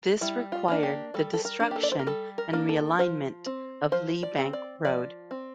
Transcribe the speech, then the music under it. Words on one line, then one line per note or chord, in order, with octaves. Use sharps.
This required the destruction and realignment of Lee Bank Road.
G3 E4
F4
A#3 D4
G4
G3 A4
A4
A#4
A#3 D4
G4
A4
D5
C5
A#4
G3 A4
A#4
A#3 D4
A4
F3 C5
C4
F3 C5
D5
C4
D5
F3 D5
C4